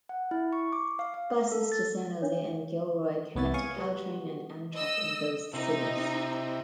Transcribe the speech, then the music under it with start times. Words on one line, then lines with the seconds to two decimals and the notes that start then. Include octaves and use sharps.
Buses to San Jose and Gilroy connect to Caltrain and Amtrak in those cities.
0.09 F#5
0.31 E4
0.53 C#6
0.73 D6
0.99 F5
1.14 F5
1.52 A4
1.72 A6
2.22 D4 C#5
3.35 C2 B3 C#5 E5 A6
3.54 G#4 C#5 F5 C#6 D#6
3.77 G3 B3 F#4
4.74 D#5 E6
5.53 C3 D#4 E4